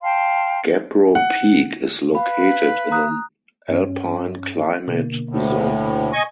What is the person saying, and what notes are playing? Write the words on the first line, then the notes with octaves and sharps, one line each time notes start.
Gabbro Peak is located in an alpine climate zone.
F5 G5 A5 C6
F#5
B4 F5 B5
A#5 D#6 F#6
G2 C#4
B2 D3 A#3
D2 A2
D#5 G#5 C#6